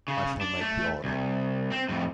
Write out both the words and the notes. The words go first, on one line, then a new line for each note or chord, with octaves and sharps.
I shall make the order.
C#3
D4
A3
C2
C4
F2 A2